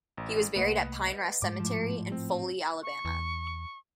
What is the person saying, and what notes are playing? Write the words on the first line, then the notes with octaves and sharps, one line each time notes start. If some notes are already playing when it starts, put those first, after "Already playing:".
He was buried at Pine Rest Cemetery in Foley, Alabama.
A1
C2 A3 A#3 B4 D#5 F#5
G#2 G#3 A3 D6
A2 F3
C4
C#6
E2